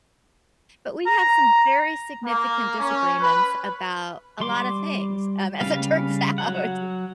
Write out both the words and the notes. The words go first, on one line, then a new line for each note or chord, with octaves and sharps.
but we have some very significant disagreements about a lot of things, um, as it turns out.
A#5
A#3
C#4
B4
G3 C6 D6
C#3 G3 B4 F5
F#3 F#5